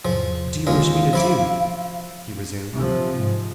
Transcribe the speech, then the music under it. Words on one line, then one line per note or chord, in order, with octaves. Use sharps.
"What do you wish me to do?" he resumed.
E2 G#2 C3 F3
D#2 G#3 F4 F5
F3 E4 D6
C3 F3
G#2